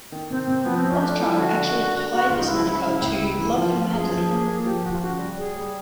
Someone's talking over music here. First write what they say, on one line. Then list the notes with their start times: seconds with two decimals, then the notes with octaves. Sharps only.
Rothchild actually applied this moniker to "Love Her Madly".
0.12 D#3
0.30 C3 C4
0.48 C3
0.63 F3 B3
0.77 C4
0.85 F3 C#4
1.02 A3 D4
1.20 F3 E4
1.39 D3 F#4
1.56 D3
1.75 D3
1.94 D3
2.11 G#3 F#4
2.30 C#2 F4
2.39 D#4
2.47 G#3 E4
2.66 C#3 E4
2.83 C#3 E4
3.01 C#2
3.20 G#3
3.38 E3
3.56 F3 F4
3.75 F3
3.92 F#2 G#4
4.11 F3
4.29 A#3
4.46 A#3
4.65 F3 G4
4.83 F3 F#4
4.93 F4
5.02 C#3 F#4
5.19 G3
5.37 G3 G#4
5.56 G3